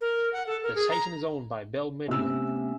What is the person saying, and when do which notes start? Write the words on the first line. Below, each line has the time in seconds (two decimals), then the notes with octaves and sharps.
The station is owned by Bell Media.
0.01 A#4
0.33 F#5
0.47 A4
0.63 A#4
0.75 G#4
0.90 A#5
2.08 C3 A3 B3 C#4 E6